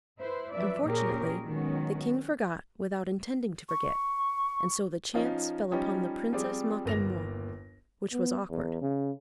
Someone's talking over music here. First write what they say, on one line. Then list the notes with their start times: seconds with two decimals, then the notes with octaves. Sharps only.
Unfortunately, the king forgot without intending to forget; and so the chance fell upon the Princess Makemnoit, which was awkward.
0.18 E4 B4 C5
0.52 F3 F#3 C#4 B4 D5 E5
0.85 A#2 A#3 C#4 G4 G#4 A#4
1.45 D#3 F#3 G#3 B3 C#4 F#4
3.69 C#6
5.14 F3 C#4 D#4 F5
5.72 F3 G3 C#4 D#4
6.33 F3 G3 C4 F4 G#4 D5
6.85 G1 D#2 A#3 A#6 F7
8.13 B3
8.50 E2
8.81 C#3